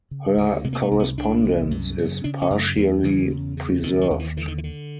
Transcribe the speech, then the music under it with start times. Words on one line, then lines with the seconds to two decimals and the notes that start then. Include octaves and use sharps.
Her correspondence is partially preserved.
0.11 C#3
0.38 D2
0.64 C3 G#3
0.73 A#3
0.82 A3
0.91 C2
1.00 B3
1.17 C2 D4
1.44 C2
1.71 F#2
1.98 C#3
2.24 C#3 D4
2.42 C#4
2.50 F#2
2.59 A3
2.77 E2 A#3
3.04 C#3 E3
3.31 E2
3.57 C#3
3.83 D#2 D#3
4.01 F3
4.10 D#2
4.19 E3
4.37 D3 E3
4.48 D#3
4.58 E3
4.64 D3